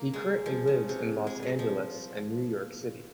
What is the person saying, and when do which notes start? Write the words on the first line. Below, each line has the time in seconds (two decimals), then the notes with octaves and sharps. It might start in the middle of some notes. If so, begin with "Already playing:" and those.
He currently lives in Los Angeles and New York City.
Already playing: A#3
0.13 G#3
0.46 F3
0.67 C#3
0.89 C3
1.27 G#3
1.43 F#3
1.59 F3